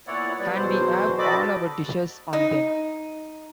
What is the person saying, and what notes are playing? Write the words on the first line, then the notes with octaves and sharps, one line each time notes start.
And we have all our dishes on them.
A#2 B3 E4 C#5 D5 F#5
G3 B4 D5
E2 B2 F#3 C5
F#4 A4 D5 D#5 B5 D6
D#4